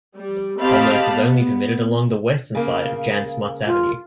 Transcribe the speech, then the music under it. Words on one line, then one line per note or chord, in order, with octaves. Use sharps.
Commerce is only permitted along the Western side of Jan Smuts Avenue.
G3
C4 G4 D#5 F5 A5 B5
B3
C#3 A#3
F4